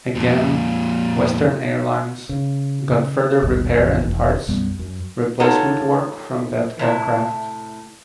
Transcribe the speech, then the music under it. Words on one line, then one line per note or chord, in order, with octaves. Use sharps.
Again Western Airlines got further repair and parts replacement work from that aircraft.
F2 A#2
C#3
G#1 D2 G2 B2
A1 F2
E1 E2
B1 F#2 G3 B3
F#2
D#4 F4 G4 A4 C#5 F#5
A2 C3 E4